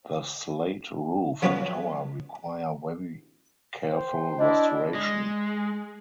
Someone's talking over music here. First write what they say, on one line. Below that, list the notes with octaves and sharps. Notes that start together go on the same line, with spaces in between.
The slate roof and tower require very careful restoration.
F3 F#3 B3 C#4 F4 B4
C5 G5
D4 E4 D#5
G#3